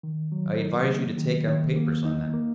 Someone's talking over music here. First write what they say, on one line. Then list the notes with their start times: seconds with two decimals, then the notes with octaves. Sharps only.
"I advise you to take out papers on that."
0.03 D#3
0.32 F#3
0.60 D#4
0.90 A#3
1.18 D#3
1.46 D#3
1.76 A#3
2.05 D#4
2.34 A#3